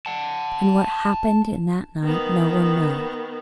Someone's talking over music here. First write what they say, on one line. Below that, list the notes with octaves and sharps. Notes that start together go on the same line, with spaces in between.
And what happened in that night no one knows.
F#5 A5
D#3 B3